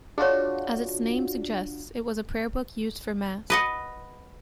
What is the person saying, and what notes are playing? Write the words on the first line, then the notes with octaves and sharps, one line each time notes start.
As its name suggests, it was a prayer book used for Mass.
D4 F4 F#4 G#4 C#5
B4 D#5 F#5